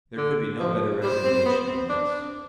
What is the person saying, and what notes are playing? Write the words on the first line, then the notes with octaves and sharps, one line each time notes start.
There could be no better recommendation than this.
D3
F3
G3 C5
C4
B3
C4
D4